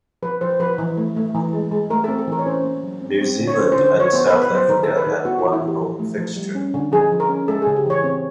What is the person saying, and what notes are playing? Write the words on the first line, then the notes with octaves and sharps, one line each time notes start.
New Zealand and South Africa had one home fixture.
F3 B4
F3 C5
F3 B4
E3
A3
A3
E3
G#3
G#3
A3 A#4
C4 A4
A4
E3 A#4
C#5
C#4 C5
A#3
F#3
C4
C4
D3
C#5
C#4 C5
D3 C5
C5
F3
C#5
B3 C5
B4
B3
B4
F#3 C5
D#3 A#4
D#3 A4
B4
D#3
A4
B3 F#4
F4
E3
E4
E3
G4
F3
A3
F3
G3
C#4
D3
F3 G#4
F3
A#4
C#4
G#3 A4
C#3 G#4
G4
E3 C#5
C4